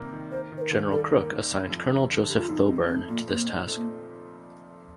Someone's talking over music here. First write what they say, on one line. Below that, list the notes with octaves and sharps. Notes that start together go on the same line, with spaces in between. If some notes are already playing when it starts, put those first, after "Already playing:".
General Crook assigned Colonel Joseph Thoburn to this task.
Already playing: C3 D#3 G3 A#3
D#3
A#3 C5
D#3
C5
A#4
D#2
G3 A4
A#3
A#4
D#3
F1
F2
F1
D3
F1 G4
F4
F2 D#4
D4
C4 D#4
A3 C4
A#2 A#3
A#3 C4
D#4
A3
A#3